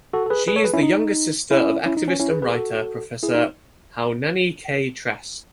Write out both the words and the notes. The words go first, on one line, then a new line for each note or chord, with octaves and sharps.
She is the younger sister of activist and writer, Professor Haunani-Kay Trask.
F#4 A4
A4
G#4 B4
G#4 B4
A4 C#5
G#4 B4
C#4 E4
D#4
C#4 E4
C#4 E4
D#4
C#4
C#4 E4
G#4 B4
G#4 B4
F#4 A4
E4 G#4
D#4 F#4